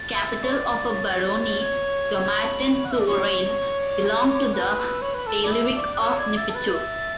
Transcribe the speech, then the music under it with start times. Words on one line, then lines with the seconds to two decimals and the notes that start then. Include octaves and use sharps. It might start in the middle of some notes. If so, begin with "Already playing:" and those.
Capital of a barony, Dommartin-sur-Vraine belonged to the bailiwick of Neufchâteau.
Already playing: A6
0.14 E5
0.43 C#5
0.51 D5
0.88 C#5
1.61 G#6
2.34 B5
2.85 F#5
2.92 E5
3.00 D5
3.07 C#5 C#6
3.31 C#6
3.56 C#6
3.81 D5
4.05 C#6
4.30 D6
4.54 B4 F#6
4.78 E6
5.02 C#5 B5
5.15 B4 B5
5.27 A4 A5
5.44 D5 B5
5.52 E5
5.64 D6
5.77 D5 C#6
5.82 D6
5.95 F#6
6.00 C#5 E6
6.18 D5 G#6
6.37 E5 A6
6.49 A4
6.55 B4 A6
6.74 E5